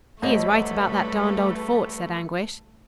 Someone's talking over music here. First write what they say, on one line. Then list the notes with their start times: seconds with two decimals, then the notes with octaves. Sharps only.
"He is right about that darned old fort," said Anguish.
0.22 A1 G3 A3 A4 B4 C5 D#5 B5